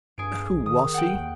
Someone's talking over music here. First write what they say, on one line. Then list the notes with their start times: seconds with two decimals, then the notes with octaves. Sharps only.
"Who was he?"
0.18 G2 G#4 D7
0.51 B1
0.66 D#3 D#6
0.94 F#5 G5
1.14 D#2